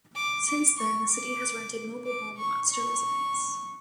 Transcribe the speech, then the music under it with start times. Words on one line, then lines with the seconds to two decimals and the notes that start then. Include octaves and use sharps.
Since then the city has rented mobile home lots to residents.
0.15 D6
0.47 D6
0.78 C#6
1.11 D6
2.06 D6
2.38 C#6
2.69 C#6